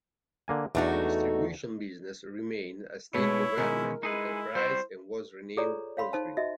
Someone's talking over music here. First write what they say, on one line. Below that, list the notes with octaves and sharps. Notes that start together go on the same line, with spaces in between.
The distribution business remained a state government enterprise and was renamed Ausgrid.
D3 A#3 G#5
E2 A3 D4 D#4 F#4
B2 G#3 A3 E4 B4 C#5
B2 D#3 G#3 C#4 A#4
G#3 D#4 E4 G#4 B4
G3 C4 F#4 C5
F4 G#4 A4 C#5 D5 A#5
C#5 F5 B5 C6
D#4 C5 A5
F#4 D#5 E5